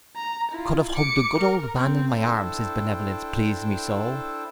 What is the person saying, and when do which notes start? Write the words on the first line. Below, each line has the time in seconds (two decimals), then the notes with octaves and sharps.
I could have hugged the good old man in my arms, his benevolence pleased me so.
0.16 A#5
0.52 E4 F4
0.94 D6 C#7
1.39 A#4
1.76 C4
2.16 D4 E4 A4 C5 G5 A5